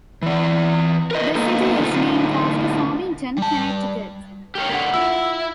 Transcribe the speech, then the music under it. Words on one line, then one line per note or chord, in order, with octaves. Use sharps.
The city is named after Farmington, Connecticut.
E3 D5
A#4 B4 D#5
A#3 B3 D#4 A4
A2 D3 D#4 F4
G3 A5
G4 A#4 C#5
D3 A#3 F#5 B6
E4 F4 E6